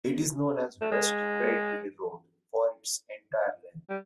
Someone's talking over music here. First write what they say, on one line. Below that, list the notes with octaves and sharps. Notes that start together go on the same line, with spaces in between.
It is known as West Fayetteville Road for its entire length.
A3
G#3
G3